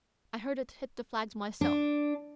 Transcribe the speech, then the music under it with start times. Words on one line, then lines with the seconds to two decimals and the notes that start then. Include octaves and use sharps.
I heard it hit the flags myself.
1.61 D4